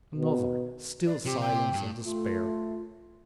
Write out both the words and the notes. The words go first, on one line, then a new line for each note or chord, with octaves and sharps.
Another--still silence and despair!....
B2
D5
C3 G4
G5
G2
A3 F4